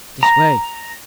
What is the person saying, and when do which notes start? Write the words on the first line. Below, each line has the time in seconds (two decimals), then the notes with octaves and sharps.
"This way."
0.23 A#5